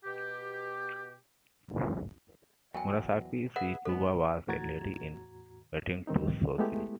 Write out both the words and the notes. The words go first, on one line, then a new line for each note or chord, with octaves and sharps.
Murasaki Shikibu was a lady in waiting to Shoshi.
B2 G4
E2 F#3 G5 G#5
G#4 B4 E5 F#5
G#2 B3 A4
E2 A2 F#4 A#5 G#6 A6
G2 D#3 C4 D#4
G#3 A3 B3 E4 G4